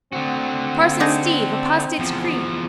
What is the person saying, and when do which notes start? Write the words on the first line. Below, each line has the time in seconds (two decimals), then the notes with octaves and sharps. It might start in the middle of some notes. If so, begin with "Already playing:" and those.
Parson Steve, apostates' creed!
0.13 D3 C4 F#4
1.00 D4 D#4 G#4
1.99 E2 F3